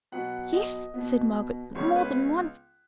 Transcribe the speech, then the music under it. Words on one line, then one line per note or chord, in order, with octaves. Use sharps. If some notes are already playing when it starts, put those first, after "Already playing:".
'Yes,' said Margaret, 'more than once.
B2 F#3 B3 F#5
D#5
B2 B3
C#2 C#3 B3 C#5
B4